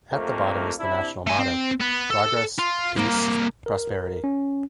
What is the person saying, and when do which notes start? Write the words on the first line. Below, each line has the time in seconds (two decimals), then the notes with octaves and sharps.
At the bottom is the national motto: Progress - Peace - Prosperity.
0.11 F2 C3 A3 A#3
0.80 C3 D4 E4
1.27 A3 G#5
1.39 C4
1.80 B3
2.10 A4
2.59 F4
2.97 C2 A#3
3.66 A#4
4.24 C#4